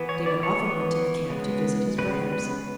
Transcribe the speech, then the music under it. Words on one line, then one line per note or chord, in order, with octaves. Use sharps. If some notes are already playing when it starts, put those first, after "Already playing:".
David often went to the camp to visit his brothers.
Already playing: E3 B3
C#5
D5
C#5
E3 B3
C#3 G#3 B3
C#3 G#3 B3 B4
B4